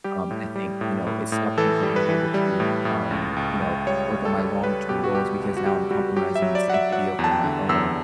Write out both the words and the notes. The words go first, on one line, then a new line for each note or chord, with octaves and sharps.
Um, I think, you know, it stopped me from being able to, um, you know, work on my long-term goals because now I'm compromising the sanctity over my own,
G3 G4
A2
G3
A2
A2
A2
E3 A4
G3
B4
E3
G3
A2
A2
C#2
C#2
C#2
G3 C#5
G3
A4
G3
G3 B4
B2 G4
F#4
G3 G4
C#2
F#4
G3 G4
G3 F#4
F#3 G4
E5
F#3
D5
F#3 F#5
E5
F#3 F#5
E2
A5
G5
D3
E2 E6